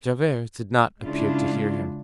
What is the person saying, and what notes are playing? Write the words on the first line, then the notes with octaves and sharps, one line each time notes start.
Javert did not appear to hear him.
C#3 G#3 D4 E4 F4